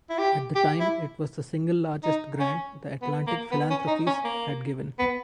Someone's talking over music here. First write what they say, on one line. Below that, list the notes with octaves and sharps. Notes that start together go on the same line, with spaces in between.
At the time, it was the single largest grant the Atlantic Philanthropies had given.
E4
G4
G4
E4
D#4
C#4
B3
A#3
B3
C#4
D#4
C#4
A#3
B3